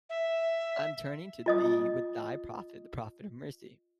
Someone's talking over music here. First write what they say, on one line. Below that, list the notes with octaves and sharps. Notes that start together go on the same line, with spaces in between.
I am turning to Thee with Thy Prophet, the Prophet of Mercy.
E5
F4 D#5 D#6